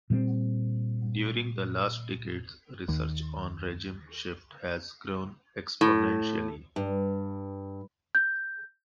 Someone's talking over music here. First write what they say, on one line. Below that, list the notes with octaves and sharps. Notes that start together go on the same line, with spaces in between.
During the last decades, research on regime shift has grown exponentially.
A#2 G3 A3 C4
D#2
A2
G2
G6